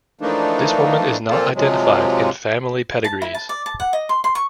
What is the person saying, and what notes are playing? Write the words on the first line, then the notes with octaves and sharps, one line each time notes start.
This woman is not identified in family pedigrees.
E3 F3 A3 A#3 D4 D#4
A#2 F3 A#3 C4 F4 A4
C3 F3 F#3 G#3
A5
E4
A5
D5
A5
F#5
D#5
C6
C6
C#6